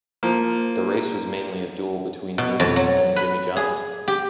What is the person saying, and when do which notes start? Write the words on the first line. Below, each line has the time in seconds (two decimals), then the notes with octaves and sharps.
The race was mainly a duel between Newman and Jimmie Johnson.
0.23 F3 A#3
2.38 B2
2.60 F2
2.76 F#3
3.16 B4
3.57 G#4
4.08 G4